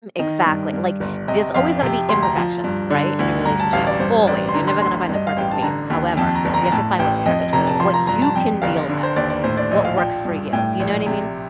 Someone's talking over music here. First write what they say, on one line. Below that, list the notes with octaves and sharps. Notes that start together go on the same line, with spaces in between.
Exactly, like, there's always gonna be imperfections, right, in a relationship, always, you're never gonna find the perfect mate, however, you have to find what's perfect for you, what you can deal with, what works for you, you know what I mean? W
D#3 D#5
G2
G2
G1
C3 D#5
F2 F5
C3 G5
D2 C6
A#5
F3
G2
D3
D2
G2 A#5
A5
A1 F5
D5
G2 C5
A1 D5
C6
D3 A#5
C6
D2 C6
C6
G2
D#5
F5
A1 G5
A5
D3 A#5
D#2
F2 A5
A#5
G1
A#5
A#5
A2 A5
A1 G5
F2 D#5
D#5
F1 A#5
A5
F3 C6
A#5
G2 A#5
A5
F2 G5
G1 F5
D3
C5
D#2 D5
D5
A2 C5
D5
A#1 D#5
F5
F3 G5
G2
A2 G5
A#1
C3